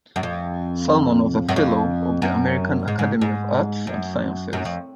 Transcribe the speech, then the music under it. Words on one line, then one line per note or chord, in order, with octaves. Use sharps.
Salmon was a fellow of the American Academy of Arts and Sciences.
F#2
F2
F#2
F2
F#2
G#2
G#2
G#2
F#2
F#2
F2